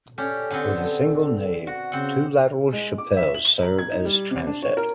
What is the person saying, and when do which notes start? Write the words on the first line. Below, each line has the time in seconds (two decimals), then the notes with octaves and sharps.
With a single nave, two lateral chapels serve as transept.
0.18 C#4 D4 G4 A4
0.51 D3 B3 C4
1.67 F#4
1.92 C#3 C4 F#5
2.73 G#3
2.98 D6
3.17 E5
3.34 F#7
3.63 A#5
3.78 G#6
3.91 D#4
4.05 G3
4.31 C3
4.46 D4
4.63 C#5
4.77 A#4